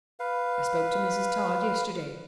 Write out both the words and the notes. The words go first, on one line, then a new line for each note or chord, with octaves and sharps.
I spoke to Mrs. Tod yesterday.
B4 F5